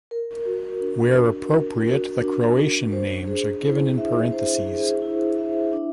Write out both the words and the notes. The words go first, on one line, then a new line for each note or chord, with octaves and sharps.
Where appropriate, the Croatian names are given in parentheses.
A#4
F#4
D4
D4
A#4
F#4
D4
D4
C5
G#4
E4
E5
C5
G#4
E4
E5
D4